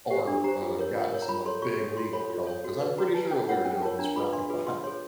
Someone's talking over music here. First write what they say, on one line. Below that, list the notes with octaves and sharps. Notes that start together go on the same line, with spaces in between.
or, uh, got in some, like, big legal trouble 'cause I'm pretty sure what we were doing was frowned upon.
G4 C5
D4
G4 C5 A#5
F4
A#4 C#5
F4
A#4 C#5
A#5
F4 B5
A4 C#5 C6
F4 C#6
A4 C#5
F4 C6
A4 C#5 B5
F4
A4 C#5
F#4
B4
F#4 A#5
B4 A5
C#4 G5
F4 A#4 C#5 F#5
C#4 G5
F4 A#4 C#5 A5
D4 A#5
F4 G#4 B4 B5
D4 C6
F4 G#4 B4
F4 C6
G#4 C#5 C6